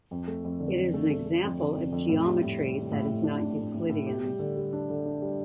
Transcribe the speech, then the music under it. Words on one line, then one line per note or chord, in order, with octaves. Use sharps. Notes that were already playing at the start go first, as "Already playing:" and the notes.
It is an example of a geometry that is not Euclidean.
F2
A3
F2
D3
F2
A3
A3
A3
F2
D3
F2
F2
A2
G3
A2
G3
G3
A2
A2
D4
A2
A2
A2
A2
G4
G3
D3
G3
D4
D3
D4
G3